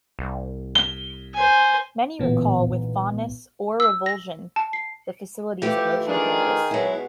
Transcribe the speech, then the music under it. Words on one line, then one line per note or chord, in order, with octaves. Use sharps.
Many recall with fondness or revulsion the facilities of Ocean Campus.
C2
G7
C5 G#5
A1 A#2 D3 E3 B3
B1 G#2
E6
A#6
A5
C7
E3 A3 F4 G4
D#3 D4 G#4
B2 F#3 G#3 E4